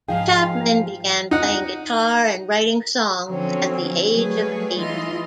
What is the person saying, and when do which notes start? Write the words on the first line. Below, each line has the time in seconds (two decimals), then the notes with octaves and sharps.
Chapman began playing guitar and writing songs at the age of eight.
0.08 G#2 F3 D#4 G#4 F5 G5
1.31 D#4 F#5
3.29 D3 F3 F#3 C4 C#4
4.11 F#3 G3 A3 G#4 B4 C#5
4.78 E3 D#4 F4 D#5 C6